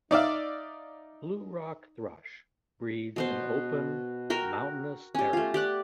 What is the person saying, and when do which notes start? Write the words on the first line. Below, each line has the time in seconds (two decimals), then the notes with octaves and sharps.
Blue rock thrush breeds in open mountainous areas.
0.11 D#4 D5 E5 F5
3.16 B2 B3 C5
4.30 F#4 A#4 G5
5.15 C#4 G4
5.33 A3 F4
5.54 G4 D5 F#5